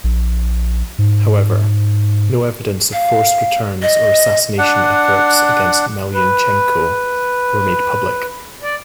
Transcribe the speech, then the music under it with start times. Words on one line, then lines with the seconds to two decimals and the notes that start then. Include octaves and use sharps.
However, no evidence of forced return or assassination efforts against Melnychenko were made public.
0.04 A#1
0.98 G#2
2.93 F5
3.82 D#5
4.58 D4 F#5
6.13 B4
8.63 D5